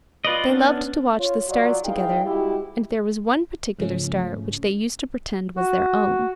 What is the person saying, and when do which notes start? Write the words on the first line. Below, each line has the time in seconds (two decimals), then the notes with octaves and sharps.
They loved to watch the stars together, and there was one particular star which they used to pretend was their own.
0.25 F4 B4 D5 D#5
0.49 B3 C#4 D4
1.19 F4 C#5
1.48 F#3 F4 D5
1.84 G#2 E3 D#4 G#4 F5 G5
2.25 G#2 G3 G#3 E4 F#4 G4
3.79 G#2 C#3 F3 A3 C#4
5.57 F#4